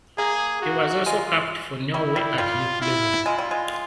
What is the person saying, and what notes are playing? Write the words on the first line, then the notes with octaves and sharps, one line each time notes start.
He was also capped for Norway at youth level.
A#3 G#4
F#4
G#3 F4
G3 E4
G3
G3 F4
E4
G#3 F4
G3
G#3